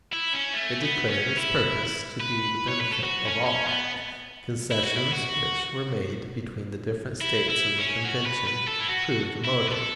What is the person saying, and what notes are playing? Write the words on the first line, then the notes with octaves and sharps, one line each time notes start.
It declared its purpose to be the benefit of all. Concessions which were made between the different States in the Convention prove the motive.
E4
C#4
A3
B3
C#4
E4
B4
C#5
B4
A4
F#4
C#4
C#4
B3
E4
F#4
E4
F#4
E4
E4
C#4
F#4
B4
B4
A4
E4
F#4
E4
B4
A4